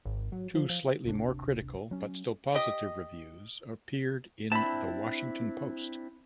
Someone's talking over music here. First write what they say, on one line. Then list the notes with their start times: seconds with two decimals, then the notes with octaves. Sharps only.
Two slightly more critical but still positive reviews appeared in "The Washington Post".
0.05 G#1
0.32 F#3
0.55 F3
0.69 F3
1.05 D1 G#1 C3 D4
1.91 F#3 C#4
2.55 G4 D#5
4.52 C4 D4 E4 A5 B5